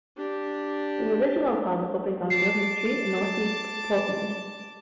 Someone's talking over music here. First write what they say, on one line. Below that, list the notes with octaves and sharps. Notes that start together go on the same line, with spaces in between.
The original pub opened on Glisan Street in northeast Portland.
D4 G4
A5 D6 C7